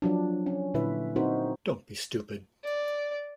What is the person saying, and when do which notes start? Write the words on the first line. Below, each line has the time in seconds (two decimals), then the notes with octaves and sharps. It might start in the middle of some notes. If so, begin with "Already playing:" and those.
Don't be stupid.
0.02 F3 F#3 D4
0.46 C#4
0.74 A#2 D3 E4 B4 E5
1.16 C4 D#4 F#4 A#4 C5
2.64 D5